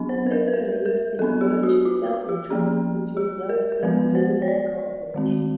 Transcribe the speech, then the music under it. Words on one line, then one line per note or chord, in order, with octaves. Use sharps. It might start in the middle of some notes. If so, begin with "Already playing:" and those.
Smith believed in a virtuous self-interest which results in invisible co-operation.
Already playing: F#3 B3 D4
C5
B4
A#4
B4
A#4
A#4
F#3 B3 D4 A4
G4
F#4
F4
F4
G4
F3 A#3 C#4 G#4
G4
A#4
A#4
F3 G#3 B3 B4
C5
C#5
D5
D#3 G#3 C4